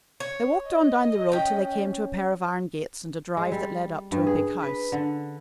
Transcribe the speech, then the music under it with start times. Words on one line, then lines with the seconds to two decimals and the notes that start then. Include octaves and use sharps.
They walked on down the road till they came to a pair of iron gates and a drive that led up to a big house.
0.20 C#5
0.67 D#5
1.32 C#4 G5
3.37 G#3
3.52 G3
4.12 G2
4.27 G#4
4.62 B4
4.92 D3